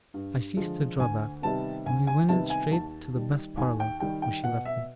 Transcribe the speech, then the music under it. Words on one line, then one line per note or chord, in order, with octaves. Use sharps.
I ceased to draw back, and we went straight to the best parlour, where she left me.
G2
D3 F3 G#3
D2 G#5
C3 D#3 G3 B3 A5
D2 G#5
G#5
C3 D#3 G3 B3 A5
G#5
D#2 A5
D#3 G3
D#2 G#5
G5
D#3 G3 G5
G5
B2 F#5
E5